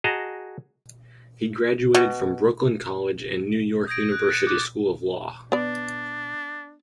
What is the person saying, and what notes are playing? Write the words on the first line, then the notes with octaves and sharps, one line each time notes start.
He graduated from Brooklyn College and New York University School of Law.
F#4 G#4 D#5 A5 A#5
B2
D#6 G6 G#6 A#6 D7
F#6
F#6 G#6 A6 C#7
D6 F#6
B3 D4 D5